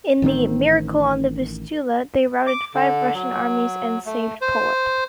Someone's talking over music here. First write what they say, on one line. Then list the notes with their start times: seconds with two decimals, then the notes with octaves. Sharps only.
In the "miracle on the Vistula," they routed five Russian armies and saved Poland.
0.22 A1 D#3 A#3 C4
2.47 D6
2.74 D3
3.14 F#3
4.06 A3
4.41 C5